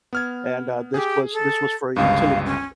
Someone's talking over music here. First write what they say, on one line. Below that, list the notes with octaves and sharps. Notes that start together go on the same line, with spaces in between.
and, uh, this was this was for a utility company,
B3 F6 G#6
G4 G#4
A4
G1 C#2 G2 F5
C#4